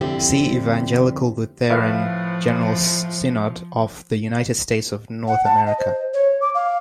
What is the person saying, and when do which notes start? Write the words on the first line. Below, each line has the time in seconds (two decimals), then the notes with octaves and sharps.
See Evangelical Lutheran General Synod of the United States of North America.
0.01 F2 D3 C4 E4 G4
1.70 A2 F3 B4 F5
5.28 F#5
5.45 A5
5.67 D#5
5.78 C5
6.14 C#5
6.41 D6
6.55 F5